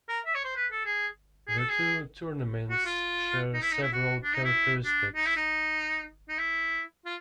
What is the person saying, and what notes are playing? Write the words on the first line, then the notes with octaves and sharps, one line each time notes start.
The two tournaments share several characteristics.
A#4
E5
C#5
C5
B4
A4
G#4
G#4
A4
G#4
F#4
F4
D#4
E4
D#4
E4
F#4
D4
D#4
E4
D4
D#4
E4
D#4
D#4
E4
F4